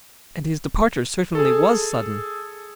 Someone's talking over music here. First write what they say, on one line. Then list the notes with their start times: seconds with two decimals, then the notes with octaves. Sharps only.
And his departure certainly was sudden.
1.35 G#4 A4